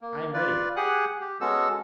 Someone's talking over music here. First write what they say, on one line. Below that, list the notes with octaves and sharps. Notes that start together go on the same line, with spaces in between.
"I am ready."
A#3
F4 B4 D5
G4 G#4 F#5 G#5 F#6
G4
G#3 B3 C#4 F#4 A4 E6